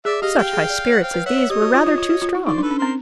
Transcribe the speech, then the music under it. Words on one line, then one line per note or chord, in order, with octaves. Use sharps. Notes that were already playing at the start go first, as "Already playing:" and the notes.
Such high spirits as these were rather too strong.
G#4 D5 E5
G4 D#5 F5
G4 F5 G5
G#4
D5
C#5
F#5
C5 F5 G5
B4
C#5 E5 F#5
C#5
G4 C#5 D#5
F#4
F4
F4
F4
F#4
F4
E4
D#4 C5 D5
D4
A4 B4
C#4
C4 A#4 C5